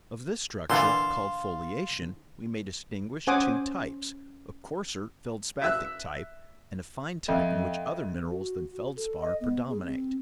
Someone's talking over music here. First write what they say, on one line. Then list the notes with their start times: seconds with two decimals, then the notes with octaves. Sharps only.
Of this structure, called FOLIATION, we may distinguish two types,--a coarser feldspathic type, and a fine type in which other minerals than feldspar predominate.
0.70 A#2 D3 E3 F5 A5 C6
3.27 C#4 C5 F#5 G#5 D6 D#6
5.62 E5 E6 F#6
7.28 F2 A4 D#5 E5
8.30 F#4
8.97 A4
9.20 D#5
9.41 B3
9.70 G#4
9.81 C4